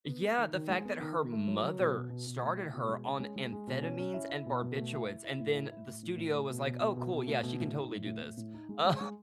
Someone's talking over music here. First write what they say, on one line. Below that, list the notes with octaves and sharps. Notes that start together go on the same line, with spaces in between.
yeah, the fact that her mother started her on amphetamines and barbiturates, and then the studio was like, "Oh, cool, yeah, she can totally do this." Um
B3
G#3
D#3
D#3
G#3
B3
D#3
D#3
A3
F#3
F#3
B2
B2
B2
B2
A3
E4
B2
G#3
C#4
G#3
G#3
G#3
B2
C#4
C#4
E4
E4
B2
B2
A3
E4
E4
E4
A2
E4
E4
A2
A2
A2
A3
B2
B2
B2
B2
B2
A3
B2
A2
D#4
A2
A2
A2
A2
D#4
G#3
G#3
G#3